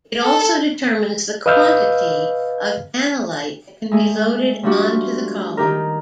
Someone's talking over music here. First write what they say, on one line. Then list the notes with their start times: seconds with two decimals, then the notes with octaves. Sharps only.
It also determines the quantity of analyte that can be loaded onto the column.
0.22 A4
1.46 B4 D#5 F5 E6 F6 G6
3.92 G#3 A3 G#4
4.63 F3 G3 A3 D4 F#4 G4
5.57 D#3 G4 A#4